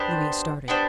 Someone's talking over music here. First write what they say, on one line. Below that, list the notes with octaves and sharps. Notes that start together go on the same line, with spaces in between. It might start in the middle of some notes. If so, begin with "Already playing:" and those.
Louis started.
Already playing: B3 D4 G4 C5
B3 D4 G4 C5